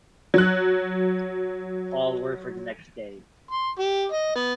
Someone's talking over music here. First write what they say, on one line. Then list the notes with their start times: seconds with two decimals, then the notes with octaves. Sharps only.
All were for the next day.
0.34 F#3 F#6
3.51 C6
3.79 G4
4.12 D#5
4.36 B3